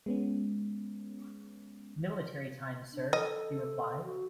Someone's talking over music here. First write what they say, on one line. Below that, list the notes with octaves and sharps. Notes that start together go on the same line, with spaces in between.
"Military time, sir," he replied.
G#3 B3 C#4
D4
A4 D#5
F#4